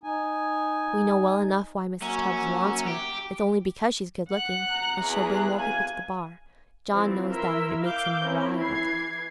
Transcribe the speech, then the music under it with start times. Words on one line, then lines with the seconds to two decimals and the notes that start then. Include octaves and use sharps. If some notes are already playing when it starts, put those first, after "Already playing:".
'We know well enough why Mrs. Tubbs wants her; it's only because she's good-lookin', an' she'll bring more people to the bar. John knows that, an' it makes him wild.
0.04 D#4 G#5
2.02 F#3 A#3 C#4 E5
2.87 G4
4.29 F#5 F#6
4.70 A#5
5.00 E2 G#4 F#6
5.56 F5 G#5
6.90 E3 F3 C4
7.29 E4 A#4 E5 C6 E6
7.81 F5 D6 E6 G6
8.24 C4 C#4 E4 A#4
8.61 E3 G#6 C7